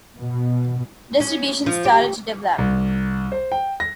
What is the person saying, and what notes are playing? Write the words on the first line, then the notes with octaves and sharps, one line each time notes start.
Distribution started to develop.
B2
C#4
F3
G4
C2
C5
G5
A#6